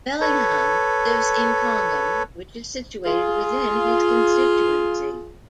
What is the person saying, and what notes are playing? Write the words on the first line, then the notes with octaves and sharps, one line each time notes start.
Bellingham lives in Congham, which is situated within his constituency.
A4 B4 C#5
F4 G#4